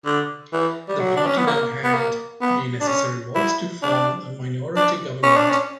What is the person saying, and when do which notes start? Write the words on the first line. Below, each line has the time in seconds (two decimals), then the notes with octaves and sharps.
The party now had the necessary votes to form a minority government.
0.06 D3
0.53 E3
0.89 G3
1.00 F#3
1.17 D4
1.27 C#4
1.37 B3
1.47 A#3
1.84 B3
1.94 A#3
2.41 B3
2.81 D4
2.88 C#4
3.35 E4
3.82 D4
4.76 D4
5.23 C#4
5.37 D4
5.51 C#4